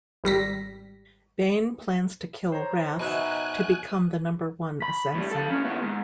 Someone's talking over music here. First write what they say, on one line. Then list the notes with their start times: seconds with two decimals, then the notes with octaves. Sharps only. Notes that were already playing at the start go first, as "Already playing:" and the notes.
Bain plans to kill Rath to become the number one assassin.
0.24 G#1 G3 A#6 B6
2.52 C5 C#5 A#5
2.99 B2 D#4 E5 G#5 F#6
4.82 B5
5.15 A2 G3
5.31 A4 F5
5.50 A2 C#4
5.65 D#3 B3
5.82 G#2